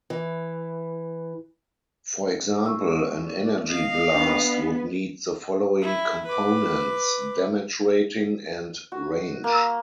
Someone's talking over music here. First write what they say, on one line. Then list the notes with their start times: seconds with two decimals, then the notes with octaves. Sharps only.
For example, an energy blast would need the following components: "Damage Rating" and "Range".
0.10 E3
2.66 G#3 C#6 E6
3.26 D5
3.69 D#5 F5
4.15 B3 D4
5.82 E4
6.26 B4 D6
8.92 F#4
9.44 A#3